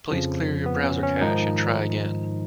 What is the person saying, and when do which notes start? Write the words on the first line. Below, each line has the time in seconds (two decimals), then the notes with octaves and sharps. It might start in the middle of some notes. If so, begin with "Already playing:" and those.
Please clear your browser cache and try again.
0.11 F2 C#3 F3
0.66 B3
0.84 C#4
1.03 C#4
1.21 G#2 D#3 F3 D#4